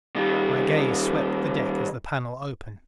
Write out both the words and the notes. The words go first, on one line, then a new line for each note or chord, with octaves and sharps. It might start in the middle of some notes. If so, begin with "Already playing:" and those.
My gaze swept the deck as the panel opened.
D#3 G3